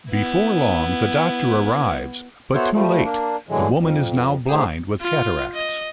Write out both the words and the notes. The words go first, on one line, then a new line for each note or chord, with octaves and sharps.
Before long, the doctor arrives, but too late-the woman is now blind with cataracts.
B3 E4
B3 E4 F#4 A4 C5 C#5
F3 G3 A3
A#3 D4
A2 D3 E3 F#3 G#3
F2
A2 C3 G4 G#4
F4
D#5